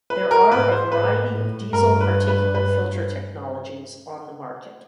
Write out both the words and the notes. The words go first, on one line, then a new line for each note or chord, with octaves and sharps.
There are a variety of diesel particulate filter technologies on the market.
B4
A#4
G#2 B4
C5
G#2 B4
A2
G2 A#4
B4
B4
G2 B4